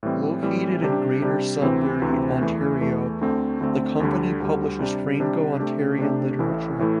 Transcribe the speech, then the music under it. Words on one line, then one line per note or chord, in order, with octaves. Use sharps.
Located in Greater Sudbury, Ontario, the company publishes Franco-Ontarian literature.
A2 E3 G3 C4
A2 E3 G3 C4
C3 G3 D4 G4
C3 G3 D4 G4
D2 C3 E3 C4
D2 C3 E3 C4
E2 E3 A3
E2 E3 A3
D2 D3 A3 C4
D2 D3 A3 C4
D2 D3 G3
D2 D3 G3
C3 G3 D4 G4
C3 G3 D4 G4
C3 A3 D4 G4
C3 A3 D4 G4
A1 A2 E3 A3 E4
A2 E3 A3 E4